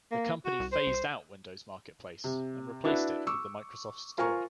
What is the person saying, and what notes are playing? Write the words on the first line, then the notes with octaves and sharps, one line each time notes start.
The company phased-out Windows Marketplace, and replaced it with the Microsoft Store.
A#3
F#4
C2
C5
C2
C3
D4 E4 F#4 B4 E5
C#6 D6 E6
F4 A#4 C5 G#5 A#5 C#6